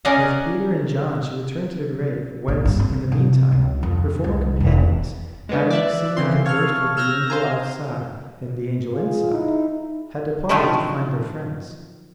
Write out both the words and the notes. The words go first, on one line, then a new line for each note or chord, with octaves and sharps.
With Peter and John she returned to the grave, whence, in the mean time, her former companions, having seen and conversed with the angel outside and the angel inside, had departed to find their friends.
C#4 A#4 D5 D#5 F5 F#5
A#1
G2
C4
C3
C#2
F2
C2
E1
G#3 A#3 B3 D4
D5 E5 F#6
C#3 E3 C4 C6
A4 C#5 F5 C#6 F6
E6 F6 G6 G#6 A#6
C5 F5 G#5 A#5
F4 G#4
D#4 E4
D3 D#3 F3 F#3 A3 E4